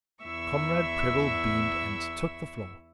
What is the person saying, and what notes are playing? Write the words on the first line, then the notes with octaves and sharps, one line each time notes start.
Comrade Prebble beamed, and took the floor.
E2 E4 E5 C#6 E6